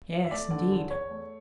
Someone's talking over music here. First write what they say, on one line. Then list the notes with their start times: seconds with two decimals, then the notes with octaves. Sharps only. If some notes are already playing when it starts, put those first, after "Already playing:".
"Yes, indeed."
0.24 E5
0.31 A3 D5
0.51 D3 D5
0.71 E2
0.90 E2 C#5
1.10 A3